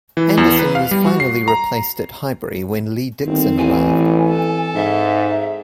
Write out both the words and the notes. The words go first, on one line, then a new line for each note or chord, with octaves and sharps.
Anderson was finally replaced at Highbury when Lee Dixon arrived.
E3
E2
B4
F5
G3
F#4
C7
A#5
G1 D#3 C4
A1 E3 G#5
A4
G#2 E5